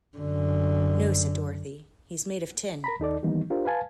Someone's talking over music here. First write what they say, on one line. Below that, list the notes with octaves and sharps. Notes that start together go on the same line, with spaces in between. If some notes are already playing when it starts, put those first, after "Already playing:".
"No," said Dorothy, "he's made of tin."
F#2 D3
A#4 A#5 B5
D#2 D#4 A4 D5
D#3 E3 G3 A#3 B3 D#4
D4 F4 G4 A#4 C5
B4 F5 G#5 A5